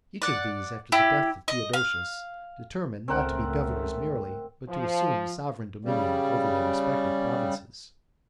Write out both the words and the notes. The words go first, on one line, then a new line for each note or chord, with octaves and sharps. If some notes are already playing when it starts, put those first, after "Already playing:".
Each of these, after the death of Theodosius, determined not to be governors merely, but to assume sovereign dominion over their respective provinces.
D5 F#5
E4 G4
D#5
F5
G#1 C#2 A3 C4 A#4 F#5
F3
C#3 G3